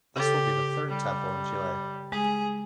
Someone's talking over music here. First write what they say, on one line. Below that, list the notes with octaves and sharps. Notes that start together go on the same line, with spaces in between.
This will be the third temple in Chile.
C#3 G4 A4
G3
G#3 G#4